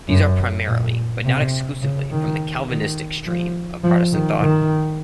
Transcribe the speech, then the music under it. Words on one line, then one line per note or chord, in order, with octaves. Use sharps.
These are primarily, but not exclusively, from the Calvinistic stream of Protestant thought.
F#2
A#2
C3
C#3
D#3
D#3
F3
F3
D#3
D#3